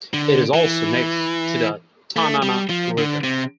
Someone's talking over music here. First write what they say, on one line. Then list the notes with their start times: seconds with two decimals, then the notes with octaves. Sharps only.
It is also next to the Tanana River.
0.14 D3
0.54 E3
2.16 A3
2.42 G3
2.70 F3
2.98 D3
3.23 C3